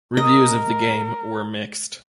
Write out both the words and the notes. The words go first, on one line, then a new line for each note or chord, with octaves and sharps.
Reviews of the game were mixed.
A#4 D#5